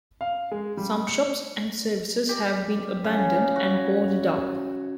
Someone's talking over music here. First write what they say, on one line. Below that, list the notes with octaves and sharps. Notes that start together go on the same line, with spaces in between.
Some shops and services have been abandoned and boarded up.
F5
G#3
G3
C#7
G4
C#3
F#4